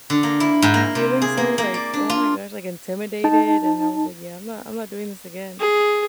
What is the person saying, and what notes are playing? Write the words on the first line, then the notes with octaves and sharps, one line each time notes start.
feeling so, like, oh my gosh, like, intimidated, and I was like, "Yeah, I'm not I'm not doing this again."
D3
A#3
E4
G#2
A#3
C3
G#4
A#3
A#3
D5
D4
F4
D#4 A5
G#4